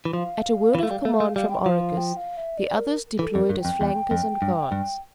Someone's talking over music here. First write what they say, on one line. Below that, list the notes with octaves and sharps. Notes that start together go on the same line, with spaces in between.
At a word of command from Oracus the others deployed as flankers and guards.
E3
F3 F5
E3
A3
G3
A3
A3
G3 F5
G5
F3 F5
G5
F5
E5
D5
A#4
E3 A4
F2
A#4
G2
F2 G5
E2
F2
G2
G2